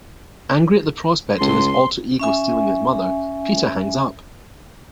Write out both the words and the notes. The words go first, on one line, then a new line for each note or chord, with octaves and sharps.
Angry at the prospect of his alter ego stealing his mother, Peter hangs up.
C#2 C6
C#4 E5 G#5